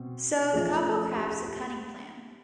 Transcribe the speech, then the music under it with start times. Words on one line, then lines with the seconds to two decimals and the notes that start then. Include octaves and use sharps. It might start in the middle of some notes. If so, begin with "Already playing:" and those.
So the couple crafts a cunning plan.
Already playing: B2 C4
0.53 F3 A3 C#4 G#4
1.15 G4
1.29 G#4
1.46 G4